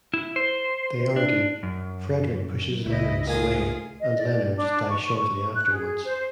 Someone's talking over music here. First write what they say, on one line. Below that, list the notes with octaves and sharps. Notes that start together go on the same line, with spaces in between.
They argue; Frederick pushes Leonards away, and Leonards dies shortly afterwards.
E4
C5
D4
F#2
C#2 E4 D#5
A3 A#3 F4 G#4 G#5 C6
D#5
D5
D4
C#6
C#6
F#6
G#4
C5